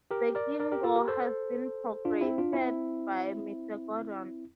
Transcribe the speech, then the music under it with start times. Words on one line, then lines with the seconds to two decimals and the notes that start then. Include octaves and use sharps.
The ginkgo has been propagated by Mr. Gordon.
0.11 G4 A#4
0.35 A#4 D5
0.60 A#4 D5
0.72 G4 A#4
0.83 F4 A4
0.96 G4 A#4
1.08 A4 C5
2.05 D4 F4
2.21 C4 E4
2.38 D4 F4
2.53 C4 E4